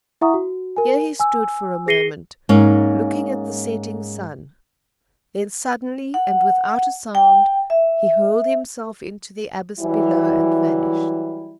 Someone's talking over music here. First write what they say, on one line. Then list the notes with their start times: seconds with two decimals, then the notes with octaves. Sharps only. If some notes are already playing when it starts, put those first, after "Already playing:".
Here he stood for a moment looking at the setting sun, then suddenly, and without a sound, he hurled himself into the abyss below and vanished.
0.21 E4 E5 F#5 A#5 C#6 D#6
0.34 F#4
0.77 A#4 G#5
1.20 G#5 E6
1.87 G#4 A#6 C7 C#7 D#7 G7
2.49 G#2 A#3 C#4
6.14 F#5
7.15 G5
7.70 E5
9.80 E3 F#3 G3 E4